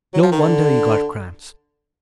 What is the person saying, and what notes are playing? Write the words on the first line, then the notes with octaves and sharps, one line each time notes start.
"No wonder you got cramps."
F#3
F3
D#3
D3